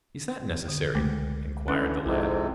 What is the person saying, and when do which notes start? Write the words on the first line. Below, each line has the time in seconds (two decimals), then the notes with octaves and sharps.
"Is that necessary?" inquired the lad.
0.68 D3
0.95 C#2 C#3 G#3 A3
1.68 D3 E3 C#4 B4 F#6
2.06 B1 F2 G#2 C3 E4